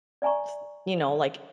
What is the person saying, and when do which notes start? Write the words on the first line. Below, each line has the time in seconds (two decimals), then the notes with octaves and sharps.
t you know, like
0.22 D5 E5 G#5 A#5 C#6